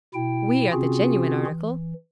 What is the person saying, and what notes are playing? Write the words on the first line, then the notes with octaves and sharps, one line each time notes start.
"We are the genuine article."
B2 E4 G5
C3 C4 C#4 F4 F#4 G#4
E3